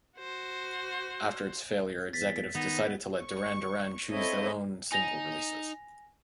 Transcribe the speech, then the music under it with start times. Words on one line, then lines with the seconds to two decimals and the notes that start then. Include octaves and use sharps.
After its failure, executives decided to let Duran Duran choose their own single releases.
0.18 F#4 C5
2.13 E2 A6 B6
2.55 D#3 B3 D#4
3.20 C#6
4.10 C4 E4 A4 C#5 D#5
4.92 D#4 G#5 A#6 F7